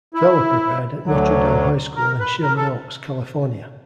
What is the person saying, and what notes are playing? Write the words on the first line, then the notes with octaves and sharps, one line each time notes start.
Vella prepped at Notre Dame High School in Sherman Oaks, California.
E4
D2 D3 F#3
A#4
B4
A#4
A4